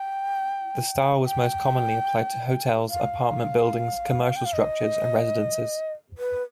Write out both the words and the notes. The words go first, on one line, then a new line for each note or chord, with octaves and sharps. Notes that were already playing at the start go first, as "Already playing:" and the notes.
The style was most commonly applied to hotels, apartment buildings, commercial structures, and residences.
Already playing: G5
G5
F5
G5
F5
D#5
B4